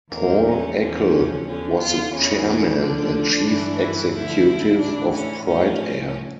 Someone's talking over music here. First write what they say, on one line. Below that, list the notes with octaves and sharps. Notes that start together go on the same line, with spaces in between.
Paul Eckel was the chairman and chief executive of Pride Air.
E2 D3 F3 A#3
C#4
E2 D3 F3 C#4
E2 D3 F3 C#4
F4
E2 C#3 E3 C#4
C#4
D2 D3 F3 D4
G2 E3
E4
D2 D3 F3 E4
A2 E3 D4
C#4
A2 F3 C#4